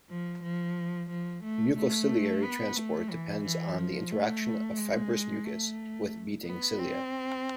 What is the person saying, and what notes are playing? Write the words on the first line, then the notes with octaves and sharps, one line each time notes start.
Mucociliary transport depends on the interaction of fibrous mucus with beating cilia.
F3
F3
F3
A3
A3
B3
A3
E3
E3
F3
A3
G#3
A3
B3
C4